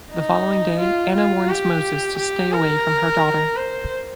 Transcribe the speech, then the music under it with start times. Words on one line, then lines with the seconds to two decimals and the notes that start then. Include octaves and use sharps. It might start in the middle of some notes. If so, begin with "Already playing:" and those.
The following day Anna warns Moses to stay away from her daughter.
0.11 D#4
0.80 F4
1.14 F4
1.49 G4
2.18 G4
2.52 A#4
3.56 C5